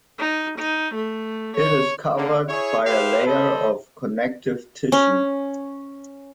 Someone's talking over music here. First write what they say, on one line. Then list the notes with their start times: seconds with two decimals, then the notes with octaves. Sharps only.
It is covered by a layer of connective tissue.
0.19 D#4
0.59 D#4
0.95 A3
1.57 C#5
2.17 D3 A#3
2.49 E4 G#4 C#5
2.87 G4 B4 C5 E5 F5
3.27 A4 C5 D#5 B5
4.92 C#4